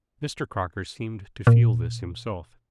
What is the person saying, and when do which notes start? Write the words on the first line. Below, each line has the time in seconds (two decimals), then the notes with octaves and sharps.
Mr. Crocker seemed to feel this himself.
1.47 A#2